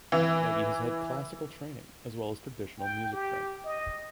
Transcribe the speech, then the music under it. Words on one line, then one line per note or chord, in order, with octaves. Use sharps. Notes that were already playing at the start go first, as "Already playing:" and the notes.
Maggie has had classical training as well as traditional music training.
E3
G5
G4
D#5